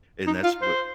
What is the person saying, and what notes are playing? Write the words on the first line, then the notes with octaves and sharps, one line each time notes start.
And that's what
D#4
F4
C5